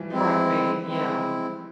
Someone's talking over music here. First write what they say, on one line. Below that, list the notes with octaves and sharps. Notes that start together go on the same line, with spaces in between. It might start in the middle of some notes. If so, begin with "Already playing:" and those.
Right, yeah.
Already playing: E3 F3 G3 A3
F3 G#3 C4 E4
G#3 C4 E4